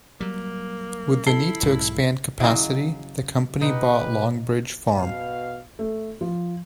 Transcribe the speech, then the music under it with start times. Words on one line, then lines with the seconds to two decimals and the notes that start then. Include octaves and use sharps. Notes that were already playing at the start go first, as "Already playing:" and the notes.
With the need to expand capacity, the company bought Longbridge farm.
0.21 F#3 G3 A#3
1.27 E4 A4 C7 G7
1.63 B1 G#2
2.40 C#3 F#3 E4 D#5
3.61 B2 D#4 G4 B4
4.96 B2 F5
5.79 A3
6.21 F3